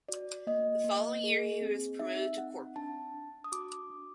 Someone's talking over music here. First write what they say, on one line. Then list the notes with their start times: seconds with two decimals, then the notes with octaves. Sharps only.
The following year he was promoted to corporal.
0.09 F#4 D5
0.47 A#3 D#5
0.84 A#3
1.24 G#4
1.61 C4
1.99 D#4 E5
2.38 C4 F#5
2.76 D4 A5
3.14 D4
3.44 D#6
3.52 F#4 D6
3.90 D4